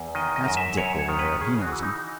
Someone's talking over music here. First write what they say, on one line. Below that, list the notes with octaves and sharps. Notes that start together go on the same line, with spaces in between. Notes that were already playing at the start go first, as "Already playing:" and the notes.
"Ask Dick over there; he knows him."
Already playing: E2
D#3 D#5
D#5
F#2
E5
F#2 C#5
C#5
D#3
B4
C#3 G#4
F#4
E3
D#4